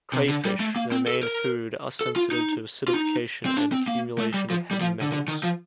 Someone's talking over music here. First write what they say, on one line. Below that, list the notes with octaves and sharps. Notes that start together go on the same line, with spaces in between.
Crayfish, their main food, are sensitive to acidification and accumulation of heavy metals.
C3
D3
G3
A3
A#3
C4
A4
A#4
A4
F4
D#4
F4
D#4
C4
D4
C4
A#3
A3
G3
F3
G3
F3
D3
D3
D#3
F3